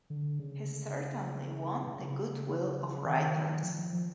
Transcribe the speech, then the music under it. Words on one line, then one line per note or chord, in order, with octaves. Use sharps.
He certainly won the good will of writers.
D3
C#3
C#3
D#3
F3
F3
F3